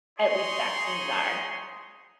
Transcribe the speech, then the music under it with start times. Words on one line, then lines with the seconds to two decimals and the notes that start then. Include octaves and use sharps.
at least vaccines are.
0.18 D#4 G#4 C#5 C6